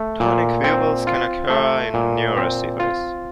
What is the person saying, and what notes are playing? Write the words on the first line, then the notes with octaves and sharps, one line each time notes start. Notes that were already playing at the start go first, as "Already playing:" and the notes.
Tonic pupils can occur in neurosyphilis.
Already playing: A3
A#2
C4
F4
A3
A#2
C4
F4